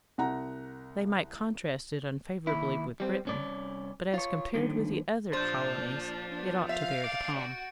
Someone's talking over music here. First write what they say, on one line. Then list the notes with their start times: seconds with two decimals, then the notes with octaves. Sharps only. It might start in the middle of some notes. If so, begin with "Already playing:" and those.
They might contrast it unfavourably with Britain, but as compared with the other colonies, it ought to bear the palm.
0.18 C2 F#5 A#5
2.47 D#2 E4
3.00 G3 C4
3.25 C2 C#4 D5
4.14 F4 C#5
4.54 G2 A#2 D3 D#3 F3
5.33 A#2 F3 D4 C5 G6 A6
6.29 B3 D4
6.69 E5 F5
7.04 D2 D5 D7
7.37 F#4